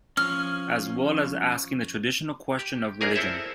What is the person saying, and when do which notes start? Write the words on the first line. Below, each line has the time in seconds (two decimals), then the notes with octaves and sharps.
As well as asking the traditional question of Religion?
0.17 F3 C#4 F6
2.59 G4
3.01 A#1 A#3 G#4 A#4 G#5
3.16 C4 E4 A4 C5 C#5 E5